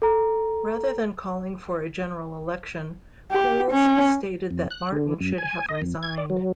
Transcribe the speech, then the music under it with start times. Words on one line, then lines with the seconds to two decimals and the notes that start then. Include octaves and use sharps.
Rather than calling for a general election, Cools stated that Martin should have resigned.
0.02 A4 A#5
3.32 G4
3.71 C#4
4.51 F2
4.71 F#6
4.92 D3
5.20 F#2
5.38 G#5
5.69 D#5
5.82 F2
6.03 G#6
6.18 D5
6.30 F#3